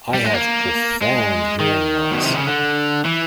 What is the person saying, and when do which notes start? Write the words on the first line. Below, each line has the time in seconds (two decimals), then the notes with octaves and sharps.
I have profound hearing loss.
0.14 G3
0.24 G#3
0.34 A#3
1.02 G#3
1.60 D#3
2.12 B2
2.23 C3
2.35 C#3
2.47 D3
3.06 E3